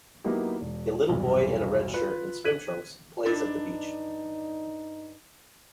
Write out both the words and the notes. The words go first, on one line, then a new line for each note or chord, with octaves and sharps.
A little boy in a red shirt and swim trunks plays at the beach.
F#3 A#3 B3 D#4 E4 G4
E1
B1 E2 G2 C3
F4 B4
F#6 G#6 B6 D#7 F#7
G2 D4 D#4